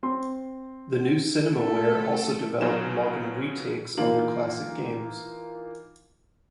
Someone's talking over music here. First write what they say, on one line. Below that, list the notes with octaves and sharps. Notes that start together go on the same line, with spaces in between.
The new Cinemaware also developed modern retakes on their classic games.
C4 C6
A3 A4
B2 F#3 D#4 F4 G#5 E7
E3 A#3 D#4 F4 F#7